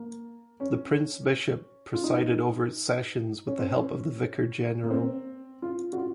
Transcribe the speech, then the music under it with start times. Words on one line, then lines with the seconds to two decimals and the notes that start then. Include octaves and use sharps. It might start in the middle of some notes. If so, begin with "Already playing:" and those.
The prince-bishop presided over its sessions with the help of the vicar-general.
Already playing: A#3
0.60 C#4
1.94 F4
2.04 D#4
3.47 C#4
3.59 C4
3.70 C#4
4.83 A#3
4.90 C4
5.62 F4
5.93 F#4
5.98 F4